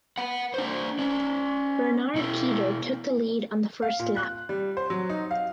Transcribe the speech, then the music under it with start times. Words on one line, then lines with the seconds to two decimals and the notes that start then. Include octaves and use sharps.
Benard Keter took the lead on the first lap.
0.18 F#5 B5
0.54 D4 C5
0.99 C#4 D5
2.15 B2 E4
3.82 F5
3.99 A#2
4.17 F#6
4.49 G3
4.77 C5
4.90 F#3
5.10 D#4
5.31 F5